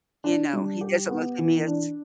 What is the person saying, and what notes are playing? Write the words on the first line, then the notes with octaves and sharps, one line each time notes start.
you know, he doesn't look at me as
D4
G3
G4
B3
E3
D4